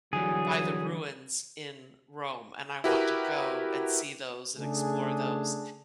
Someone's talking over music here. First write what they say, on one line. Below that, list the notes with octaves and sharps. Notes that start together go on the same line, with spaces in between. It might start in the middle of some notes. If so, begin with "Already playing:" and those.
by the ruins in Rome, and I want to go and see those and explore those.
D3 E3 F#3 G3 G#4
E4 F#4 G4 A#4 B4
C#3 A3 D4 G#4